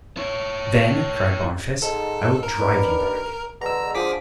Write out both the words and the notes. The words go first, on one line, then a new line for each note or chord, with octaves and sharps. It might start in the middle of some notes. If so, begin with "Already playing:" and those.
"Then," cried Boniface, "I will drive you back."
E4 C#5
G#2 A4
A#4
D#2 D4 B4
B2 D3 G#3 A#5 E6
D3 F3 G#4 D6 B6